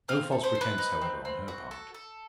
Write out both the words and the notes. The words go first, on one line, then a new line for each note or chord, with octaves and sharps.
No false pretence, however, on her part.
C4 F5
A4
C5
C4
B4
D#4
C4
C4
F#4
A4
A4